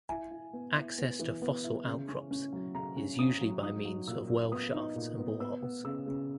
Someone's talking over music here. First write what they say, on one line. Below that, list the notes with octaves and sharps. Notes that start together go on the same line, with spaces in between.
Access to fossil outcrops is usually by means of well shafts and boreholes.
E4 G#5
E4
B3
E4
B3
E3
B3
E4
C#3
C#4
C#4
F#3
C#3 A#5
C#4
C#4 D#6
F#3
D#4 D#6
F#3
A#2 E6
A#2
B3 D#6
D#4
A#2
B3
B3 E6
B3
C#3 E6
C#3